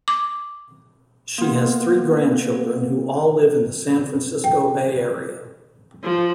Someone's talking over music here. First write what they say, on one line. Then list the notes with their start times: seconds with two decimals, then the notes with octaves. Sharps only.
She has three grandchildren who all live in the San Francisco Bay Area.
0.08 D6
1.38 A#3 B3
4.44 G5
6.04 F3